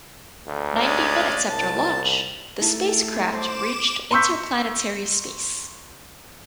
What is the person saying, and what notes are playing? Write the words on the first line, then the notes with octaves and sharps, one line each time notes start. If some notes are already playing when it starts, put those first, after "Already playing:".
Ninety minutes after launch, the spacecraft reached interplanetary space.
D2
G#3 C#4 D5
C2 A5
A3 D#4 E4
C5 D6 E7
A#5 C6 C#6 E6 G6 B6